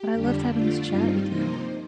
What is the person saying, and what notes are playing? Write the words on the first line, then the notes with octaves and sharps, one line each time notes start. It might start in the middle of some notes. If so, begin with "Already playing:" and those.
but I loved having this chat with you.
Already playing: G4
F2 D3 G3 D4
D3 A3 D4 F4
G2 D#3 G3 C4 D#4
C3 F3 A#3 D#4 C5